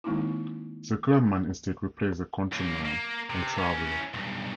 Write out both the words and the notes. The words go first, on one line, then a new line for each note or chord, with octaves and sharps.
The Clubman Estate replaced the Countryman and Traveller.
D#3 G#3 A#3 C4 D#4 E4
F#2 A#3
A#3
C3
E3 C#4
B1 G2